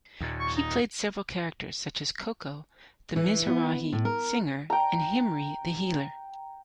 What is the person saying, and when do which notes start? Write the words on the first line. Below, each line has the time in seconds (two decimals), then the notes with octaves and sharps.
He played several characters such as Coco the Mizrahi singer, and Himri the healer.
0.21 D#2 A#2
0.40 C#6
0.56 D#4
3.16 E3
3.47 B3
3.92 A2
4.05 A#4
4.70 G5 A#5